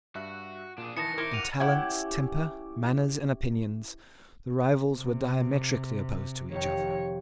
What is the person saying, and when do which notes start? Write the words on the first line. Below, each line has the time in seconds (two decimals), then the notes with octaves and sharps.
In talents, temper, manners and opinions, the rivals were diametrically opposed to each other.
0.15 G2 F#4 E5 F#6
0.78 A#2 D4 G#4
0.97 D#3 E3 B3 E4 A5 A#6 C#7
1.18 D#3 E4 A#4 C5 C6 D6
1.33 G4 F#5 D#7 F7
1.60 C#4 E4 G4 F#5
4.94 C3
6.52 F1 D#3 C#5 G5